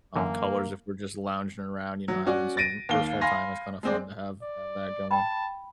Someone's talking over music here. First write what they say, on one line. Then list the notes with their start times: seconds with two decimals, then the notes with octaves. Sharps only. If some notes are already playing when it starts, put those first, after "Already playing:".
um, colors if we're just lounging around, you know, having some personal time, it's kinda fun to have have that going,
0.16 F#2 D3 E3 A#3
2.08 F#3
2.26 C#4 F#4 D5
2.57 A6 A#6 D7 D#7
2.89 D#2 F5 G7
3.21 F5 G#5 B5 C6 A#6
3.83 G#3 C4 D5
4.42 D5
5.11 G5 A5 B5